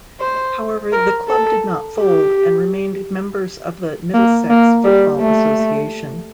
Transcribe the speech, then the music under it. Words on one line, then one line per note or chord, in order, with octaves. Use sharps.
However, the club did not fold and remained members of the Middlesex Football Association.
C5
A#4
A4
G4
A#3
A#3
G3
A3